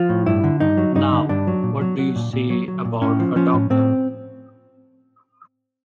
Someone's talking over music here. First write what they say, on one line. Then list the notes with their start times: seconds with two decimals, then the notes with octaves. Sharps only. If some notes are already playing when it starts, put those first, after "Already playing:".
Now, what do you say about her doctor?
Already playing: F3 F4
0.09 A2
0.26 G2 E4
0.44 D3
0.60 G2 D#4
0.77 F#3
0.95 G2 D#4
1.12 D3
1.29 G2 D4
1.47 F#3
1.63 A#2
1.81 F#3
1.99 F#3
2.16 A#2
2.33 A#2
2.50 F#3
2.68 F#3
2.85 A#2
3.02 A2 C#4
3.19 F3
3.36 F3 C#4
3.54 A2
3.70 A2 C4